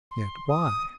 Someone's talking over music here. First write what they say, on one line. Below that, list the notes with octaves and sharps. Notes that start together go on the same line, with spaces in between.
Yet why?
C6
D#6